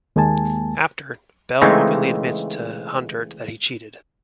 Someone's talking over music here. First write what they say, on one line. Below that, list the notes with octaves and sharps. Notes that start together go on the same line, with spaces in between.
After, Bell openly admits to Hundert that he cheated.
D#2 G#3 A#3 G#5 A5
C#3 E3 G#3 A3 C4 D#4